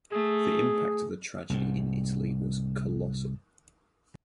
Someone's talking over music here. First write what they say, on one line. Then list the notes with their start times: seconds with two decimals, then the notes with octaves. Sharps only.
The impact of the tragedy in Italy was colossal.
0.12 A3 G#4
1.50 C2 G#2